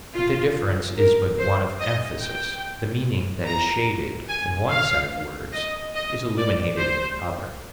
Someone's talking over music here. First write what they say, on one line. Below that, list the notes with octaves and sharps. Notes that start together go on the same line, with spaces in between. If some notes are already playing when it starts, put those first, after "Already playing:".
But the difference is but one of emphasis; the meaning that is shaded in one set of words is illuminated in the other.
F4
A#4
C5
D#5
G5
A#5
G#5
F5
D#5
D#5
D5
C5